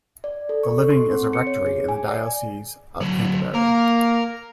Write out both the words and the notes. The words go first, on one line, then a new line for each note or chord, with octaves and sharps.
The living is a rectory in the diocese of Canterbury.
D5
A4
C#6
A4
C6
C4
C#7
C#5
G#4
G#5
D5
D3 F#3
A#3 A#4 A#5